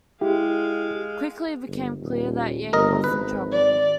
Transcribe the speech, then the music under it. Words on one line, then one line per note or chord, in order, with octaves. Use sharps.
Quickly, it became clear that Yang was in trouble.
G#3 E4 G4 F5
G1
D#1
G1 A#4 D#5
G#1 B4
D5